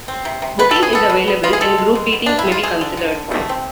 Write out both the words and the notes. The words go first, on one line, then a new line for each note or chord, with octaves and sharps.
Booking is available and group beatings may be considered.
C4
C3
C3
B2 B4
A4
B2
G#4
B3 A4
B2
B3
B3 F4
G#4
G#3 A4
G#3
G#3
B2
B2 D4
E4
G#3
F4
A3 G#4
D3
D3
D3
A3
C4